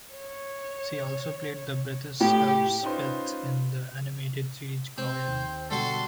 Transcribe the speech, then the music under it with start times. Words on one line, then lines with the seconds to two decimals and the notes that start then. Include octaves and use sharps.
She also played the British Elspeth in the animated series Gawyan.
0.14 C#5
2.21 A2 G4
2.83 C#4 D#4 F4 B4 C5
4.98 C3 C4 C5
5.28 D#2
5.71 B2 D3 G3 F#4 A4 C6